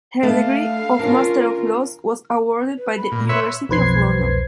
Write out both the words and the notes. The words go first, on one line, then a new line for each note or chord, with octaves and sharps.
Her degree of Master of Laws was awarded by the University of London.
A3 D4 D#5 F5
C#4 D4 F4 A#4
B4
B5
A#2
B4 C#5 E5 C6
B1 F2 B4 C5 G#6 C7